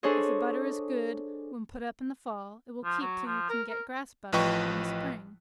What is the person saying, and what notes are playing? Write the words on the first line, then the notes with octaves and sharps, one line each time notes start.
If the butter is good when put up in the fall, it will keep till you can get grass butter, in the spring.
D4 G#4 A4 C5 C#5 D#5
F3
F#3
F3
A#4
A#4
A1 F3 B4 D#5 G5 C#6